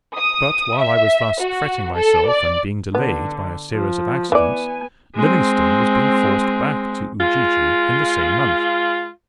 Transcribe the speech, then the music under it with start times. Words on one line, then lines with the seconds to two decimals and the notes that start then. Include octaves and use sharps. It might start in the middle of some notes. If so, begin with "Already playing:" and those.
But while I was thus fretting myself, and being delayed by a series of accidents, Livingstone was being forced back to Ujiji in the same month.
0.17 D#6
0.78 E5
1.40 F#4
1.95 A4
2.28 D5
2.95 D3 B3
3.74 F3
4.32 E3 B3 D5 G#5
5.15 G#3 C4
7.21 G#3 F4